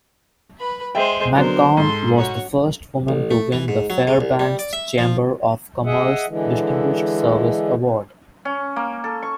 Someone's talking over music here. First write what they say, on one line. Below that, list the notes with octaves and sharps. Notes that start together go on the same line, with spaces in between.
McGown was the first woman to win the Fairbanks Chamber of Commerce distinguished-service award.
B4 B5
G#3 C5 E5 G5
D3 F#3 B3 A#4 C5
G#2 A4 C6
F#4 C#5
A1
A3
E3
G#2
F#3
C#3
C2
G3
D5
E5
F3
G#4 D#5 E5 F#5
D3 E3 G#3
C#4
A#3
A4
C#6